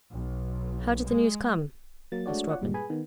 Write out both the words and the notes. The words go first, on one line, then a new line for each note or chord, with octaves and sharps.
"How did the news come?" asked Robin.
B1
G#3
F#3 A#3 A6
G#3 A3 D4 F#4 C#5 D5
F4 C#5 D5 F#5
G2 A#2 G3 G#3
G#4 B4 G#5 B5
D#3 B3